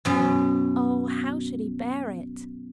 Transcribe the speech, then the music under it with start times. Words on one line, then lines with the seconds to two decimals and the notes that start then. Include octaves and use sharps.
Oh! how should he bear it?
0.05 F#2 B2